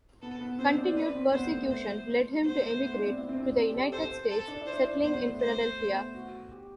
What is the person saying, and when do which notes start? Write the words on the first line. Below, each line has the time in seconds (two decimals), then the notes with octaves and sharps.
Continued persecution led him to emigrate to the United States, settling in Philadelphia.
0.22 B3 A4
0.41 B3
0.59 C4 C5
0.78 D4
0.96 D4 B4
1.15 C4
1.33 B3 C5
1.51 A3
1.70 C5
2.44 B3 C5
2.63 A3
2.81 B3
2.94 D4
3.06 C4
3.18 E4
3.29 C4
3.37 D4
3.55 C4
3.68 G4
3.74 A4
3.92 A4 C5
4.11 C5
4.30 A4
4.48 D4
4.61 E4
4.66 C5
4.73 D4
5.03 B3 C5
5.22 A3
5.40 C5
5.77 A3
5.90 B3
6.14 F#4
6.52 G4